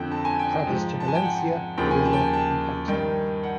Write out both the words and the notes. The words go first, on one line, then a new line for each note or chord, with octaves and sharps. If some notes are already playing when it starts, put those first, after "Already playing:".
Travels to Valencia, Vienna and Amsterdam.
Already playing: F2 D3 F3 G5
A5
G#5
G5
G5
G#2 F3
A5
G#5
G5
F#5
D#2 C#3 F3 G5
G#5
A5
G5
G#5
A5
G2 D#3 G5
F#5